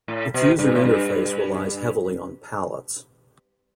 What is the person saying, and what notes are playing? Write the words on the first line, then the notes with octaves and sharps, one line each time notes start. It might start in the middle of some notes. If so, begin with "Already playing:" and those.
Its user interface relies heavily on palettes.
A2
B2
G2
A2
G2